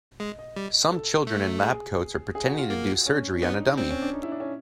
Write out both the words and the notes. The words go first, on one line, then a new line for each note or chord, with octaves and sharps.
Some children in lab coats are pretending to do surgery on a dummy.
G#3 D#5
D#5
G3
A4
A3
G#4
G#4
F#4
F4
A#3
C#4
B3 D4
D#4
C#4
C4 D4
C#4
D4
D#4
E4
D4
C#4